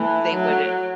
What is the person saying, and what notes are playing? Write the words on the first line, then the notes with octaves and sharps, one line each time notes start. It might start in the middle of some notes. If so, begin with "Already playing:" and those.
they would i
Already playing: E3 A3
F#3